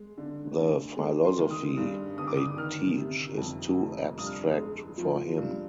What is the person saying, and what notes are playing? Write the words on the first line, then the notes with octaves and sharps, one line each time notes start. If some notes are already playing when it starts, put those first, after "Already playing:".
The philosophy they teach is too abstract for him.
Already playing: G#3
D3
D2
G#3
C6
D#3
D#6
G2
G1 D#6
D6
D#6
D#3 F6
C3
F2
F1
G2 D#6
F6
D#6
G#3
F3
G2